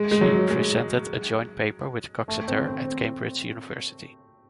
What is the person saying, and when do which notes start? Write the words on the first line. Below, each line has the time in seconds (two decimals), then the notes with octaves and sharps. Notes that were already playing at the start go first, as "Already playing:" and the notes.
She presented a joint paper with Coxeter at Cambridge University.
Already playing: G#3
0.11 G#3
0.21 F#3
0.51 G#3
2.28 A3
2.48 C4
2.68 C4